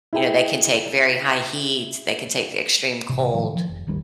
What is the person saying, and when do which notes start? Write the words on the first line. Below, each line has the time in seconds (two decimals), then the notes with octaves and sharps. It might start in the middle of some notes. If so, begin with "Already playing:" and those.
You know, they can take very high heat, they can take extreme cold.
0.13 E4 G#4 G5
3.09 A1 C3
3.34 A2 D#3 F3 G#3
3.53 D#3 F3
3.69 F1
3.87 D#1 G#1 D#3 G3